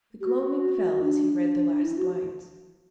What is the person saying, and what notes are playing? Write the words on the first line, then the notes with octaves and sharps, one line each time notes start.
The gloaming fell as he read the last lines.
G4
F#4
D4
E4
F#4